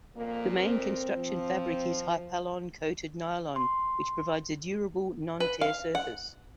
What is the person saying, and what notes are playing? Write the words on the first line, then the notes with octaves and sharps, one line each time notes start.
The main construction fabric is Hypalon-coated Nylon which provides a durable, non-tear surface.
F2 A#2 A#3 A#4
C4
F3
C6
B4
F5
F#5